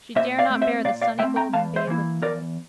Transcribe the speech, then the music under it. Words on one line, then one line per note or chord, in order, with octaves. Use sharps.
She dare not bear the sunnygolden babe of day.
A#2 C5 E5
D5 F5
A3 C4
C5 E5
A#2 D5 F5
D5 F5
A3 C4 E5 G5
G5 A#5
E2 F5 A5
C5 E5
E3 A#3 E4
E2 A#4 D5